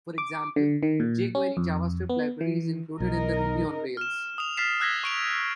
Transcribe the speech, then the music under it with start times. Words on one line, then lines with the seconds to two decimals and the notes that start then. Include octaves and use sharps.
For example, the jQuery JavaScript library is included in Ruby on Rails.
0.18 D6
0.56 D3
0.83 D#3
1.00 A#2
1.35 C#4
1.57 F2
2.09 B3
2.41 E3
3.00 B1 D#4 A#4 D#5
3.97 F6 E7
4.38 D#6 F7
4.57 F6 A6 B6 C7 E7
4.80 E6 F#6 G#6 A#6 B6 G7
5.04 C#6 D7 F7